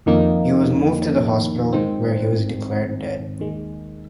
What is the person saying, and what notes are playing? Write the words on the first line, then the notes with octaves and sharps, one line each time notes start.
He was moved to the hospital, where he was declared dead.
F2 D#3 A#3 D#4
G#2 D#3 C4
D#2 D#3 G#3